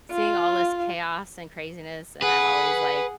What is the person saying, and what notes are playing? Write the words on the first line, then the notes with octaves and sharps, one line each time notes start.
seeing all this chaos and craziness, and I'm always like,
F4
G#4 B4 F#5